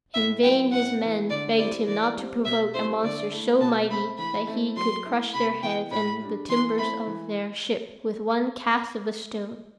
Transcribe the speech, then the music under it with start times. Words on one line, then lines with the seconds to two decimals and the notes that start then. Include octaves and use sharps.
In vain his men begged him not to provoke a monster so mighty that he could crush their heads and the timbers of their ship with one cast of a stone.
0.14 A2 E5
0.43 F#3 C4 E4 G5
0.72 A2 F#5
1.01 E3 B3
1.30 D3 D5
1.58 G3 C4 E4 D5
1.87 E3 D5
2.16 G3 C4
2.45 B2 E5
2.74 G3 C4 E4 C5
3.03 D3 D5
3.32 A3 E4
3.60 B2 A5
3.89 A3 C4 B5
4.18 E3 B5
4.47 A3 C4 E4
4.76 F#3 C6
5.05 A3 E4
5.34 C3 B5
5.63 E3 B3 G5
5.91 A2 B5
6.20 G3 D4
6.49 E3 C6
6.78 A3 C4 E4 B5
7.07 E3